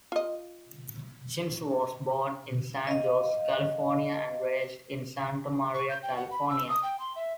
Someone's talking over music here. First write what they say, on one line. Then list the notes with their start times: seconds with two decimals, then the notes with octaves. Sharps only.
Shimizu was born in San Jose, California and raised in Santa Maria, California.
0.12 F4 D#5
2.87 D#5 F5
5.74 C#6
5.89 G6
6.03 G5
6.17 F#5
6.31 B5
6.50 E6
6.69 D#6
6.83 G5
6.99 C6
7.16 E5